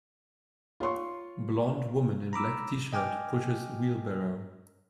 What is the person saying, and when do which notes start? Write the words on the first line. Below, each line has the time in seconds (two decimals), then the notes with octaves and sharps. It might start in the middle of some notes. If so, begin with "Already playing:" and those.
Blond woman in black tshirt pushes wheelbarrow.
0.80 F4 C#5 C6 C#6
2.33 A#5 B5 D6 E6
2.93 D#5 G5 G#5 D6 F6